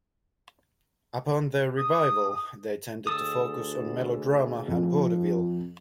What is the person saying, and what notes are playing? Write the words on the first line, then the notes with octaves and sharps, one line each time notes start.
Upon their revival, they tended to focus on melodrama and vaudeville.
D#6
D2 G#4 A4 D#6
F2 F3